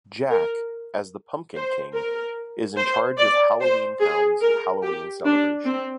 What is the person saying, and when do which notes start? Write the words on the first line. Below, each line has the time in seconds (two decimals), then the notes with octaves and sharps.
Jack, as the Pumpkin King, is in charge of Halloween Town's Halloween celebration.
0.30 A#4
1.54 C5
1.95 A#4
2.77 C5
3.18 D5
3.60 C5
4.01 G#4
4.41 A#4
4.83 G4
5.25 D4
5.65 C4